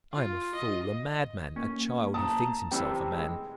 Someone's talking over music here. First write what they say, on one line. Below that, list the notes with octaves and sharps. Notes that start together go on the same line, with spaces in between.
I am a fool, a madman, a child who thinks himself a man.
F4
D#5
A#3 C#4
A5 A#5 D#6
C3 E3 G3 G5 E6
G#3